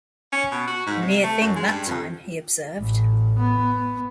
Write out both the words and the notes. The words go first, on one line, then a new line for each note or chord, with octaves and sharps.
"A near thing that time," he observed.
C#4
B2
F#4
G#2
C3
A3
F#2
G#3
G2
F2
A1
B3